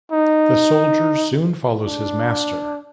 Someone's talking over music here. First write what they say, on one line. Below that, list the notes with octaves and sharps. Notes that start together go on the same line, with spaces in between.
The soldier soon follows his master.
D#4
D4